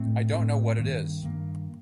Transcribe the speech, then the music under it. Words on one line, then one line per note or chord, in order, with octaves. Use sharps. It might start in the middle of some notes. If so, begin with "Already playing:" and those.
I don’t know what it is.
Already playing: A2 A3 C4
A2 A3 C4
G2 D#3 A#3
G2 D#3 A#3